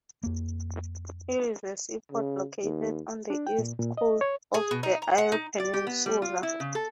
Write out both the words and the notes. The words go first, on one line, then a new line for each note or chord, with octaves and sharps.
It is a seaport located on the east coast of the Eyre Peninsula.
F2 A#3
C#3
D#2
D4
G5
A#2
A#2
D#5
C#5
G#4
B2
D#4
A#5
F#5
D#4
D5
G4
B3
G3
F4
E4
C#3
A4